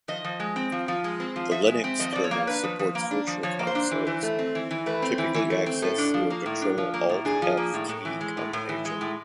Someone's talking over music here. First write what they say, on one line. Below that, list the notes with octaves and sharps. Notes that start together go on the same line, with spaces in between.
The Linux kernel supports virtual consoles, typically accessed through a Ctrl-Alt-F key combination.
F3 D#5
F3
G#3
C4
F3
F3
G#3
C4
F3
F3 E5
G#3
C4
F3 D#5
F3 D5
C#5
A#3
D4 B4
F3
F3
A#3
D4
F3
F3 C#5
A#3
C5
D4
E3
E3
A3
C4
E3
E3
A3 B4
C4
E3
E3
A3
C4
A2 A4
D4
F3
A#3
A2
D4
F3
A#3
A2
D4 G#4
F3
A#3
A2
A2
E3
G#3
A2
A2
E3
G#3
A2